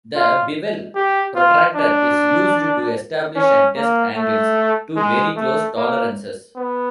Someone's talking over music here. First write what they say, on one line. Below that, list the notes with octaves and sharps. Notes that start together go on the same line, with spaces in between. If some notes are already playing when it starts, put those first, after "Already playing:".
The bevel protractor is used to establish and test angles to very close tolerances.
F4
G4
F4
D4
C#4
A#3
A3
G#3
A3
A#3
B3